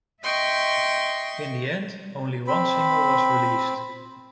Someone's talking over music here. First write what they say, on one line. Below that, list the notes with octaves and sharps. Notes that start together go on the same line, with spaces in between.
In the end, only one single was released.
D#5 E5 G5 C6 C#6
C4 B5